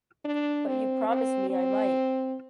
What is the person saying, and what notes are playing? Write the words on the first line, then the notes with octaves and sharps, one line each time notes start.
But you promised me I might!
D4
C4
C4
C4